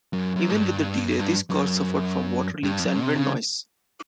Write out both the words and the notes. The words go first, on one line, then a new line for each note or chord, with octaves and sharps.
Even with the delay, these cars suffered from water leaks and wind noise.
F#2
F#2
G#2
G2
F#2
G2
F#2
G2
F2
F#2
C3
C#3